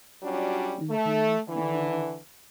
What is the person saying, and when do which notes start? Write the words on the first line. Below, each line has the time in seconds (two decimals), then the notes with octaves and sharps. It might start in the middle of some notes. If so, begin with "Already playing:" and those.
Mhm. Mhm.
0.22 F#3 G3 C#4 D4 F4 F#4
0.89 A3
1.47 D3 E3